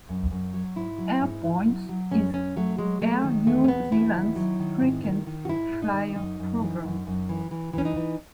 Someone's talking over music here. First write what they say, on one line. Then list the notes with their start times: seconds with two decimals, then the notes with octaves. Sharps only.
Airpoints is Air New Zealand's frequent-flyer programme.
0.09 F#2
0.31 F#2
0.53 F#3
0.76 G#2 E4
0.98 F#3
1.21 G#2
1.44 G#2
1.67 F#3
1.89 F#3
2.11 F#2 C#4
2.34 F#2 C#4
2.56 F#3 A3
2.79 F#3 G#3
3.01 F#3 A3
3.24 D#3
3.46 E2 A3
3.64 C#4
3.68 E2 B3
3.91 E2 E4
4.14 D#3
4.36 F#3
4.60 D#3
4.81 G#2
5.04 D#3
5.27 D#3
5.45 F#4
5.49 G#2 E4
5.71 G#2
5.82 D#4
5.94 D#3
6.16 F#2 D#4
6.39 F#2
6.61 E3
6.84 F#2
7.07 F#2
7.29 E3
7.51 E3
7.73 E3 C#4
7.85 D#4
7.96 E3